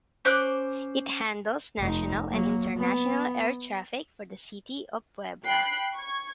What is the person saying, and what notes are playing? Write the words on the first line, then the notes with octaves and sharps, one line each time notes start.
It handles national and international air traffic for the city of Puebla.
C#4 C5 D6 F#6
F1 D#4
F#3 A#3
B3
G5 B5 F#6 C7
C#6 G#6